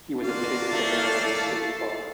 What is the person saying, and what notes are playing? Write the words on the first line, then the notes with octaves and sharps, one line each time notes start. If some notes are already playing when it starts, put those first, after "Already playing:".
He was admitted to the Maryland State Bar.
A#3 D4 F4 F#4 F5 A6 C7
A3 E4 A5